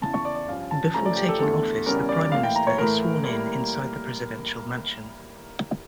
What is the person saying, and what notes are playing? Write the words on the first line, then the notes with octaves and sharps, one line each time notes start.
Before taking office, the prime minister is sworn in inside the Presidential Mansion.
E2 C#3 E3 A5
C#6
D5
D5
G2 F3 C#4 F5
A5
C#3 F3 A3 C#4 A#5
D5
G4
A4
E2 D3 A3 A4
E2 C#3 G3 C#4 A#4
D5
A2 E3 A#3 F5
G5
A#5
C#5
A2 E3 A3 A#4
A2 G3 A#3